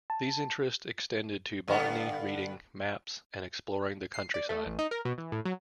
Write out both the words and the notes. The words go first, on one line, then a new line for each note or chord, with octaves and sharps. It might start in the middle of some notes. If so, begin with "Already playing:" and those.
These interests extended to botany, reading, maps, and exploring the countryside.
A5
G2 D3 B3
C7
D5
A3
A1
D#4
A#4
B2
E3
A2
F#3